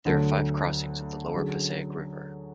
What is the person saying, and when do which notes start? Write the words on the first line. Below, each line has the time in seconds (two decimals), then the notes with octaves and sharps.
There are five crossings of the Lower Passaic River.
0.05 D2 D3 F#3
1.34 D3 F#3 C#4 G#4